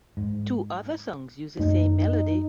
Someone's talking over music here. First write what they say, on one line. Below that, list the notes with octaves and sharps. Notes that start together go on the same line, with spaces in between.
Two other songs use the same melody.
G#2
F#2 A3 A#3 D#4
D#4